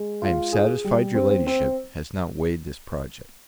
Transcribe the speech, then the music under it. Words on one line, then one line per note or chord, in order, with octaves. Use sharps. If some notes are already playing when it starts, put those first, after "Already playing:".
I am satisfied your Ladyship has not weighed this project.
Already playing: G#3
F4
G#4
G3
C4
C4